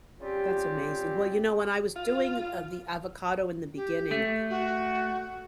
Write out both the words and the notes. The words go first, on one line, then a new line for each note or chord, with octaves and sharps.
That's amazing. Well, you know, when I was doing, uh, the avocado in the beginning,
C#3 G3 C4 F4 G4
F4
G4
A3
F#4